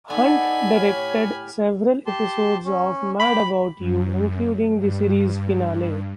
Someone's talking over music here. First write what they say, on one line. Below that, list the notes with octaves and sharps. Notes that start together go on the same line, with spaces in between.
Hunt directed several episodes of "Mad About You", including the series finale.
B3 D#4 A4 D5 G#5 B5
A2 G4 C#5 F6
G4 A5 C6
C#4
G5 B5 D6
F#2
G2